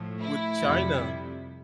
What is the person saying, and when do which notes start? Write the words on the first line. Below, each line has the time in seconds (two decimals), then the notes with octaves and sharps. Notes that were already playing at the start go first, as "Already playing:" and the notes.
with China,
Already playing: A2 F3
0.22 E4
0.61 F2 C3 G3